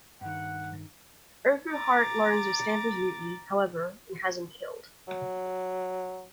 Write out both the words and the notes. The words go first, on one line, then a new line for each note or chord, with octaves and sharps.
Urquhart learns of Stamper's mutiny, however, and has him killed.
G2 D#3 F#5
A#5 D6 A6
F#3